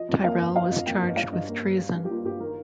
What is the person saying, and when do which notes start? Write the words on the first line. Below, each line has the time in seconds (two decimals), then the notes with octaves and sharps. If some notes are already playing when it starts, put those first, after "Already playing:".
Tyrrell was charged with treason.
Already playing: F3 D#5
0.09 F2
0.24 A#3 F5
0.40 G1
0.55 F3 F5
0.70 F2 D#5
0.86 A#3 G5
1.01 G1
1.08 D#5
1.16 G3 F5
1.32 G2 D#5
1.49 A#3
1.63 G1
1.79 G3
1.94 G2
2.05 G4
2.10 A#3 F4
2.25 G1 G4
2.40 D#3 A#4